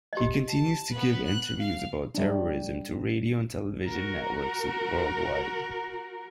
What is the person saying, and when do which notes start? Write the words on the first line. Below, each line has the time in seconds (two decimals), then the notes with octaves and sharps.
He continues to give interviews about terrorism to radio and television networks worldwide.
0.13 G4 D#5
0.46 A5
0.91 B3 B4
1.26 F#6
1.59 F5
2.15 G3 D4
3.85 F#4 A#4